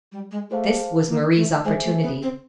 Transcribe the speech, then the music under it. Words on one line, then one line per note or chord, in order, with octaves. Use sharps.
This was Marie's opportunity.
G3
G#3
A3 G#4 C5 F5 A5
A#3
A3
G#3 G#4 C5 E5 G#5
A3
B3
C4